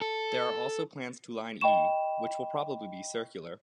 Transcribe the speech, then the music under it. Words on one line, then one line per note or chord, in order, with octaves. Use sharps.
There are also plans to line E, which will probably be circular.
A4
D#5 G5 B5 C#6 E7